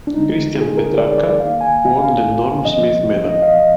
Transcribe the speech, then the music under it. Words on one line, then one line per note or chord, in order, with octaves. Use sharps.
Christian Petracca won the Norm Smith Medal.
D4
D3 G#3 C4 D#4
G#4
A#4
D5
D5
D#3 A#3 F5
G#5
F5
A#2 F3 C4 D#5
D#5
F5
D#5